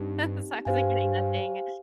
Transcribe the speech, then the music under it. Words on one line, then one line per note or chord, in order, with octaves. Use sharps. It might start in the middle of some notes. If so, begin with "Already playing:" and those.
so I wasn't getting nothing.
Already playing: G2 C4 D#4 G4
G2 G4 C5 F5 G#5